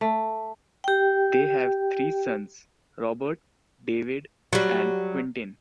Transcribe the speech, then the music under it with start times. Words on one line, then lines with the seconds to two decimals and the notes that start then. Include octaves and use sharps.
They have three sons: Robert, David, and Quentin.
0.01 A3
0.84 G4 G5
4.53 F#3 G3